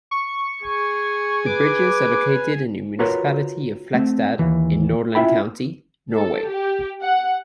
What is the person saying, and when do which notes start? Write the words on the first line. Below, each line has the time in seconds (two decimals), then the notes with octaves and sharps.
The bridges are located in the municipality of Flakstad in Nordland county, Norway.
0.11 C#6
0.63 G#4 G#5
1.46 B4 D6
2.99 F4 F#4 A#4 B4 C#5
3.94 A3 C4
4.39 D#2 E3
5.15 C#4 E4 F4 E5 G5 B5
6.13 A4
6.50 G4
7.03 F#5